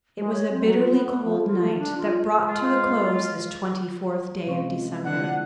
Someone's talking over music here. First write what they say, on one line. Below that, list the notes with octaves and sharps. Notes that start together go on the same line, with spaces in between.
It was a bitterly cold night that brought to a close this twenty-fourth day of December.
G#3
C#5
C4
F#3
F4
B3
B3
F3
F4
A3
D4
F4
G#3 F4
C3 G#3 C4 C#4 F5
D3 F3 D4 E4 D5 F#5